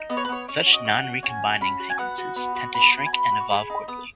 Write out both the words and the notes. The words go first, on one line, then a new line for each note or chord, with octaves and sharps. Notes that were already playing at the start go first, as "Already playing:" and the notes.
Such non-recombining sequences tend to shrink and evolve quickly.
Already playing: D#4
B3 D#5
C#5
B4
B3 C#5
C#4 C#5
F#4
D#5
C#4
D#5
F#5
F#4
C#4 G#5
F#4
C#4 B5
F#4
G#5
B3 F#5
F#4
B3
F#4
B3 B5
F#4
G#5
B3 B5
F#4
C#6
G#4 B5
D#4
B3 D#6